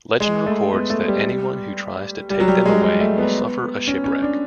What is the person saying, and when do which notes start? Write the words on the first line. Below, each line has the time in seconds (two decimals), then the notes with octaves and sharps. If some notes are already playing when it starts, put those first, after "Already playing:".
Legend records that anyone who tries to take them away will suffer a shipwreck.
0.20 G#3
0.46 A3
0.73 B3
0.90 A3
1.08 G3
2.30 G3
2.40 F#3
2.48 G3
2.66 G#3
2.82 G#3
3.00 A3
3.18 B3
3.87 C#4
4.04 C#4
4.22 D4